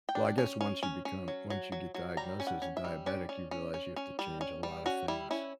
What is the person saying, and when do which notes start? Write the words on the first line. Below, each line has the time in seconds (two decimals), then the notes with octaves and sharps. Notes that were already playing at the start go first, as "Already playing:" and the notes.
Well, I guess once you become once you get diagnosed as a diabetic, you realize you have to change a lotta things.
0.09 G5
0.15 D4
0.38 C#4
0.61 C#4
0.83 C#4
1.05 C#4
1.28 F#3
1.50 F#3
1.72 F#3
1.95 F#3
2.17 G3 A#5
2.40 C#4
2.47 F#5
2.62 C#4
2.77 E5
2.85 G3
3.06 C#4 D5
3.29 C#4
3.51 C#4
3.74 C#4
3.96 C#4
4.19 G3
4.41 C#4
4.63 G3
4.86 C#4 F#4
5.08 G3 E4
5.31 C#4 E4